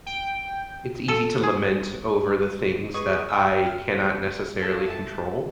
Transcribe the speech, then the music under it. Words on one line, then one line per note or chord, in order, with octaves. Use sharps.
it's easy to lament over the things that I cannot necessarily control,
G5
A4
G#4
G#4 B4 D#5 C#6
G5 D#6 E6
F6
F4 A4
E4 A5